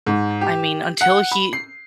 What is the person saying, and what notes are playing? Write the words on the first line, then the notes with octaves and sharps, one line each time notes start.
I mean, until he,
G#2
G4
F#5
B5
C7